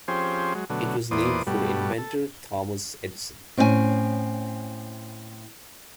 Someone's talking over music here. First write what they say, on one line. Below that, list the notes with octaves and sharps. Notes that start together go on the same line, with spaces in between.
It was named for inventor Thomas Edison.
F3 C4 C#4 G4 G#4 C5
F#3 G#3
B2 D3 F#3 A3
E2 A#2 B3 C5 D5 D#6
G2 B2 G3 A3 F#4
A4
A2 C4 C#4 D#5 G#5